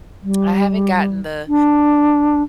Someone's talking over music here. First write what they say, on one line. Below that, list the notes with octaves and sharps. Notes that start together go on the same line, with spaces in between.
I haven't gotten the
G3
D4